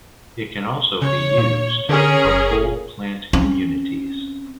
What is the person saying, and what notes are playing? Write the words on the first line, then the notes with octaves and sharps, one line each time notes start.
It can also be used for whole plant communities.
C#3 C#5
A#2
D3 C#4 G#4 A#4
F#1
C4 C#4